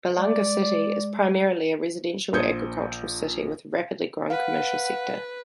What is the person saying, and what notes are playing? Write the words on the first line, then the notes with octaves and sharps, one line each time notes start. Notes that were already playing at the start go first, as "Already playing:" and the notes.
Balanga City is primarily a residential-agricultural city, with a rapidly growing commercial sector.
G#3 D5
A#1 C5 D#6 G6 G#6 C#7
B4 F5 F#5